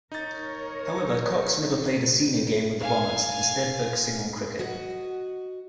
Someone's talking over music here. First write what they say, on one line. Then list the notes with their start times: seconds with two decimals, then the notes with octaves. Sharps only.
However, Cox never played a senior game with the Bombers, instead focusing on cricket.
0.12 D#4 A#4 C#5 A6
2.80 F5 G#5
4.59 F#4 D#5